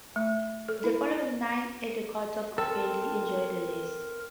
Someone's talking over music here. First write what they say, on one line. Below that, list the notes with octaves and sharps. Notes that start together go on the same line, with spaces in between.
The following nine at the Court of Appeal he enjoyed the least.
A3
A4
E4
C4 A4 A#4 A5 E6